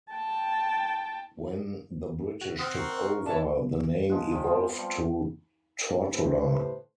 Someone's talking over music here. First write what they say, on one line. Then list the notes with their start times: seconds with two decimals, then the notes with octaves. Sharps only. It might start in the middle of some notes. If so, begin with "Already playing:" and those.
When the British took over, the name evolved to Tortola.
0.13 G5 A5
2.41 F#4
2.59 C4 F#5 C6 D#6 F6
2.78 A#4 C#6
3.26 D4 C#5 E5 A5
4.10 F3 G#3 F#5
4.32 F3 G3
4.44 B3 C4 F4
4.78 F3 G3
6.12 A2 G4 B4 C5